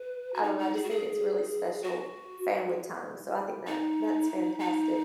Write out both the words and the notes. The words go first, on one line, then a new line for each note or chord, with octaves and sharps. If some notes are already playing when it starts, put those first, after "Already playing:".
I don't know, I just think it's really special family time, so I think that that's fantastic
Already playing: B4
F#4
D#4
D#4
G#4
F#4
G#4
F#4
D#4
D#4